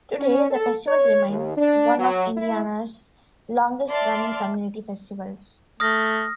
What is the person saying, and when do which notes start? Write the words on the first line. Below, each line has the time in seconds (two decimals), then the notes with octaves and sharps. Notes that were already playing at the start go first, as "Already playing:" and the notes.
Today, the festival remains one of Indiana's longest-running community festivals.
0.18 C#4
0.51 A4
0.88 C#5
1.28 D#2
1.57 D4
1.98 F#3
2.37 E4
3.89 D5 E5 A5 C6 F6
5.80 A3 D#6 F6 A#6